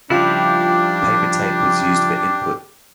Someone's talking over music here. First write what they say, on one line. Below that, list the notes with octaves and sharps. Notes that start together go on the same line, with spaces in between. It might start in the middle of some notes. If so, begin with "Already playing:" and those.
Paper tape was used for input.
C#3 F3 G3 D4 E4 F4 G4 G5